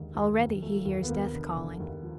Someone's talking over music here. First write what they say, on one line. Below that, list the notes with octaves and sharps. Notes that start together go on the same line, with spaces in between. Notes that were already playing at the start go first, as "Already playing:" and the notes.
Already he hears death calling.
Already playing: D#2 D3 G#3
D#2
D#2
F3 A3
D#2
B3
D#2 A#3
D3
D3
D#2
F3